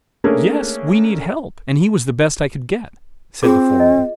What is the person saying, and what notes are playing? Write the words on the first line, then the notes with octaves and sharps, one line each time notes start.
"Yes; we need help, and he was the best I could get," said the foreman.
A3 A#3 C#4 D4 G#4 A#4
C4 F4 G#4 D6
D#5